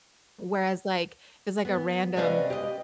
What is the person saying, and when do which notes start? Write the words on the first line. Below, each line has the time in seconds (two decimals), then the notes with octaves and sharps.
Whereas like, it's like a random
1.65 B3
2.16 C3 C#4 B4 D5 D#5 F5
2.50 G4 D#5